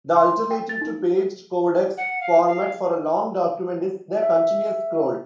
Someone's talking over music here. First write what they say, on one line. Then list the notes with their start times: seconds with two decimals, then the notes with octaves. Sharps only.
The alternative to paged codex format for a long document is the continuous scroll.
0.16 C6
0.51 G5
0.69 A6
0.81 D#4
1.97 F#5
2.21 F5
2.46 F5
4.22 E5